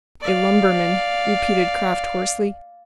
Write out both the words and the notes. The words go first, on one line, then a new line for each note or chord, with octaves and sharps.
"A lumberman," repeated Kraft, hoarsely.
D5 F5